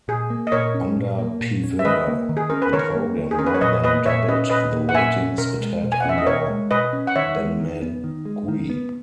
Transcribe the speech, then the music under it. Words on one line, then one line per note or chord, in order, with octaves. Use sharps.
Under Pevere, the program more than doubled the ratings it had under Benmergui.
A#2 G#4
A#3
D#5
A#2 A#4 C#5
C#4
A#2
A#3
A#2
C#4
E5
D#3 B4 D#5
A#3
D#3
G#4
C#4 A#4
B4
D#3 A#4 C#5
A#3
D#3
G#4
C#4 A#4
B4
C#5
A#2 B4 D#5
A#3 B4 D#5
A#2 C#5 E5
C#4 B4 D#5
A#2 B4 D#5
A#3
F#5
A#2 E5 G#5
C#4
B2 A#4
G#3
B2
G#5
F#5
C#4 E5
D#5
B2 A#4 C#5
G#3
B2 B4 D#5
C#4
F#5
D#3 C#5 E5
G#3
D#3
B3
D#3
G#3
D#3
B3